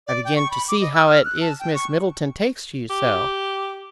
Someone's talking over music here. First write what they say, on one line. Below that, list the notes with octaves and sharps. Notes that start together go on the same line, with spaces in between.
I begin to see how it is Miss Middleton takes to you so.
D5
G5
C#6
B5
D6
D#5
E6
F6
F#6
A5
G5
C#6
G4